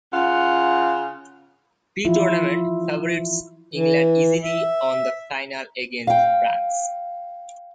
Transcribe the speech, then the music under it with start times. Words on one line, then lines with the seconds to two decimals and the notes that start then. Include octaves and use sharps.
Pre-tournament favourites England easily won the final against France.
0.13 C#3 F4 F#5
2.05 E3 F3 E4 F4
3.74 E3
4.43 E5
6.07 F5 G5